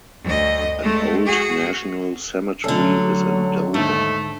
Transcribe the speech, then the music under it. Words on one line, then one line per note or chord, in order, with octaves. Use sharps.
An old national cemetery is in Dover.
D2 D#5
G#3 A3
F#4 G#4
D3 F#3 G3 A3 C#4 A4
D#2 G#2 D3 A3